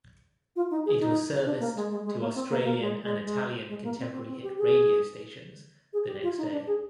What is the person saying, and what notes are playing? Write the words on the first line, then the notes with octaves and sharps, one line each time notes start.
It was serviced to Australian and Italian contemporary hit radio stations the next day.
F4
D#4
G#4
D#4
D4
A#3
G#3
G#3
G#3
A#3
C4
A#3
A#3
G#3
G#3
G#3
G#3
A#3
C4
C4
C4
G4
G#4
G#4
G4
F4
D#4
D4
G#4